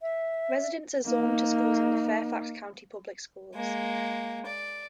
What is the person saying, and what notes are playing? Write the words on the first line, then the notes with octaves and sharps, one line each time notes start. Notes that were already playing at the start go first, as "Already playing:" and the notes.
Residents are zoned to schools in the Fairfax County Public Schools.
E5
A#3 D#4
G#3 A#3
D5